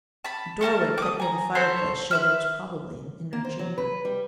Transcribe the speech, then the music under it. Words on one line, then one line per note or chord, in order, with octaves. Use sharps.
A doorway cut near the fireplace showed there was probably an inner chamber.
A5 B5
A4 A#4 A5 F6
D6 D#6
G#5 A#5
A4 C5 C#5 B5
B4 E5 F6
A#3
C5
F#3
B4
G3